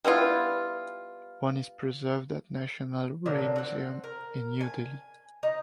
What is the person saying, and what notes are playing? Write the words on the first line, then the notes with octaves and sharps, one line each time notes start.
One is preserved at National Rail Museum in New Delhi.
G3 B3 E4 F4
A#2 D3 F#3
C4 F#5
A#4
G#5
D#4